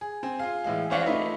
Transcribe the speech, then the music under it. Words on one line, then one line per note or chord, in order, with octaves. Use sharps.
And, eh,
G#4
C4 G#5
F4 G#4 F5
A2 E3 G#3 F5
C#4 C5 D5 F5 F#5 C#6
A3 D#4 F4 B4 E5